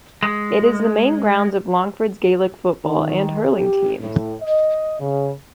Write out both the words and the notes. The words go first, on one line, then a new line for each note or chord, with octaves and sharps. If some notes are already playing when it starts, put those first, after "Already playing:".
It is the main grounds of Longford's Gaelic football and hurling teams.
G#3
D#3
G4
A2
D#5
C#3